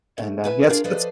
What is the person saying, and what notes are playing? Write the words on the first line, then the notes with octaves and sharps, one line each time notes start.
and, uh, yeah that's that's
A3
E4 B4 G#5
D4 F4 G#4 A#4 D5
F3 A4 B4 C5 D5 D#5